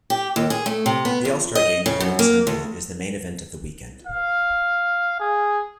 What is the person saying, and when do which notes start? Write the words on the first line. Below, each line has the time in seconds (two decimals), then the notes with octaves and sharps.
The All-Star Game, held on Sunday, is the main event of the weekend.
0.10 G4
0.36 D#2
0.50 G#4
0.66 A3
0.86 C3
1.05 B3
1.25 F2
1.55 D#5
1.86 C#3
2.00 F#2
2.19 A#3
2.47 D2
4.07 F5
5.20 G#4